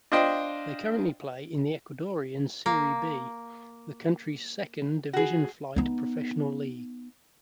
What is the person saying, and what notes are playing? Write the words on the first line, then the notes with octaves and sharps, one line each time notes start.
They currently play in the Ecuadorian Serie B, the country's second division-flight professional league.
D4 F4 C5 D#5 G5
A#3
F#4 G#4
B3 D#4